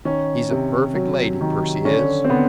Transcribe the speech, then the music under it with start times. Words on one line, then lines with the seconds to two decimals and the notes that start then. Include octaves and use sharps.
He's a perfect lady, Percy is.
0.05 D#3 C#4
0.50 C3
0.95 F#3
1.41 D#3
1.85 D3 C#4
2.24 C4
2.30 D3 B3